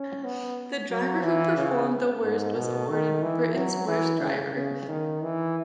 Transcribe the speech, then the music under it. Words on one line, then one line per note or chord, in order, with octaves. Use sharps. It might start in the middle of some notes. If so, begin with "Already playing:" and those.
The driver who performed the worst was awarded "Britain's Worst Driver".
Already playing: C#4
B3
F#3
E3
C#3
G#2
B2
D#3
E3
F#3
E3
C#3
C#3
D#3
E3